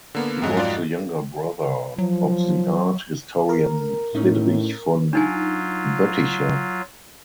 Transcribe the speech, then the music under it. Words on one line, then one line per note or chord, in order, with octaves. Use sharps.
He was the younger brother of the art historian Friedrich von Boetticher.
D3 A#3 B3
F2 G#2 F#3
F4 D5
F3 F#3
A#4
A2 C#4 D#4
F#3 D4 D#4 F4 G#5